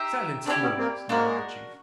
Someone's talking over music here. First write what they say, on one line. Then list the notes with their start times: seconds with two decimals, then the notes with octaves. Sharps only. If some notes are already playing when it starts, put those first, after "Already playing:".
"Silence, fool!" snarled the chief.
Already playing: D#4 G4 C5 E5
0.46 C4 D4 E4 G4 A#4 D5
0.62 B3 C#4
0.77 A#3 C4
1.09 G#3 A#3 D4 F#4 A#4